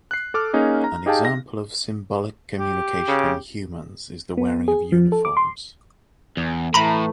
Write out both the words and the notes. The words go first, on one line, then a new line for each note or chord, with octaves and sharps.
An example of symbolic communication in humans is the wearing of uniforms.
F#6 C7
A4 D6 F6
A#3 C#4 D#4 G#4
A#5
D#4 G4 G#4 F5 G5 A5
A#6
G4
C#3
B3
G#4
F3
A4
D6
C6
E2
A2 E3 A3 A#5 B5